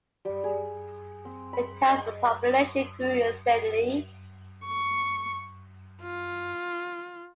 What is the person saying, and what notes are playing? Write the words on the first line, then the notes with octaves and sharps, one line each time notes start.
The town's population grew steadily.
G3
G#4
C4
B5
D#5
C#6
F4